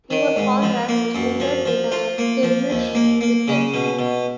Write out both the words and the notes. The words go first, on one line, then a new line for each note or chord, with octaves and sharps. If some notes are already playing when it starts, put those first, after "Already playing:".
Even Conrad was wounded in a skirmish with them.
D#3
G#2
F3
A#3
F#2
F3
F3
F4
A#3
F3
D#2
A#3
A#3
C#3
B2
B2